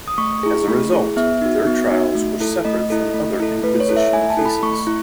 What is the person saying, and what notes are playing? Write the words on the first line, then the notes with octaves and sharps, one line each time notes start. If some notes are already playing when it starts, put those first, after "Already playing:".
As a result their trials were separate from other inquisition cases.
D#6
A3 C#6
E4 G#4
A3
E4 G#4
B3 E5
D#4 F#4
B3
D#4 F#4
A3
E4 A4
A3 D#5
E4 A4
A3
E4 A4
A3 B4
C#5
E4 A4
E5
A3 G#5
A5
E4 A4
B5
A3 C#6
E4